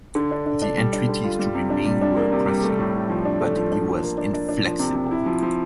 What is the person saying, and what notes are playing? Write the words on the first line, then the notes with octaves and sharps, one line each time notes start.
The entreaties to remain were pressing, but he was inflexible.
D3
D4
D4
D4
G3
D4
D3
F4
G3
C3
D4
G3
D4
A#3
C3
G3
A3
A2
A2
F3
D4
A3
F3
D4
F3
A#3
D4
D4
D4
F3
C3
C3
E4
F3
F3